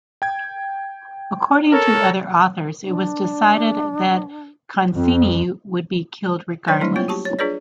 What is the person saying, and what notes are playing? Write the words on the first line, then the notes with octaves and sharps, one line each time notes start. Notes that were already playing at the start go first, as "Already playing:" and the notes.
According to other authors, it was decided that Concini would be killed regardless.
G5 G#6
A4 A#4 C#5
D4
F2 C4
F#3 D4 B4 C#5 D5
F#3 G3 A3 D4 E4
A#3 B3 F4 C#5
F#4 G4 A5 C#6
C#5
D4 F4 G#4 B4 C#5 D5